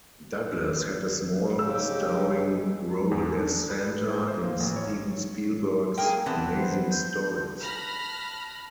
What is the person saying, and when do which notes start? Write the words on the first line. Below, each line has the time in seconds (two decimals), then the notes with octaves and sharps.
Douglas had a small starring role as Santa in Steven Spielberg's "Amazing Stories".
1.59 A#1 C#3 G#3 D#4 G4 E6
3.11 E2
3.37 D4
3.70 B4
4.08 A2
4.28 C5
4.44 A#3
4.60 A1
4.76 C#5
5.98 A#3 G#4 A#4 G5
6.26 E3 B3 C4 A5
6.56 C5
6.91 G6
7.60 A5 B5 F6 F#6 A#6